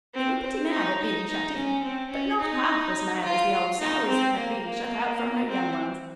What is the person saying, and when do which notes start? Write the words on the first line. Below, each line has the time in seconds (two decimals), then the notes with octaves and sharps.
They were pretty mad at being shut in, but not half as mad as the old sow is at being shut out from her young ones.
0.14 C4
0.42 C4
0.70 D#4
0.99 D#4
1.26 D#4
1.55 C#4
1.83 C4
2.11 C#4
2.40 D#4
3.24 F4
3.51 F4
3.79 D#4
4.07 C4
4.36 A#3
4.65 A#3
5.48 C4